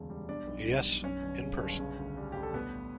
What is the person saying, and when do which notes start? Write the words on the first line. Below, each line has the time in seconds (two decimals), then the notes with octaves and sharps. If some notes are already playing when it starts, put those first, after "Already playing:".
Yes, in person.
Already playing: E1 D2 C#3
0.10 G3
0.29 B2 D4 D5
0.47 B1
0.66 G3
0.85 B1
1.03 F#2 C#4 C#5
1.23 G1
1.41 C#3
1.60 G1
1.79 C#3
1.98 D2
2.17 G3
2.32 D2 G4
2.43 A4
2.54 A2 B3 B4